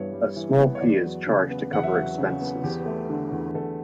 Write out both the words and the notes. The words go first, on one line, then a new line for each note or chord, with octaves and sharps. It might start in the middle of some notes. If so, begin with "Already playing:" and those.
A small fee is charged to cover expenses.
Already playing: G2 E3 B3 C#5
G3
E3
B3
C#5
E2 D5
F#3
C#3
B3
E2 F#5
E5
F#3 F#5
C#3
B3
E2 G4
A3
D3
E2
E2 A4